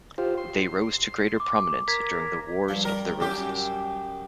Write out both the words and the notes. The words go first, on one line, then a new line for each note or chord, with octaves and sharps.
They rose to greater prominence during the Wars of the Roses.
F4 G4 C5
C6
D6
A#4 G#6 B6
G2 F3
G3 A#4
F#2 G4